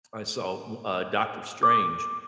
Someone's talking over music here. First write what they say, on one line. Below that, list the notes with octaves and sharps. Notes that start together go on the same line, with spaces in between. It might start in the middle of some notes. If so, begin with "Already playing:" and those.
I saw, wh uh, Doctor Strange
D6